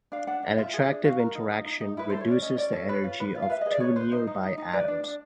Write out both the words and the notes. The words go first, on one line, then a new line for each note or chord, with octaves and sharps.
An attractive interaction reduces the energy of two nearby atoms.
D4 F5
D4 F#5
D4
F4 E5
G#4
D4
F#4 F5
A#4
D#4
D#4
D#4
D#4
E4 B4
A4 C5
C#5
C#4 D5
C#4 D#5
C#4 D5
A4 C#5
B4
F4
B4
F4
F5
B4 E5
D#5
G#4
D5
B4 C#5
B4 C5
D#4 C5
D#4
D#4
D#4
B4 D5
D4
D4